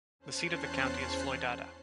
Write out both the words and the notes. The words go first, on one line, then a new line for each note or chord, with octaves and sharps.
The seat of the county is Floydada.
E2 C#4 C5 A5 F#6 C7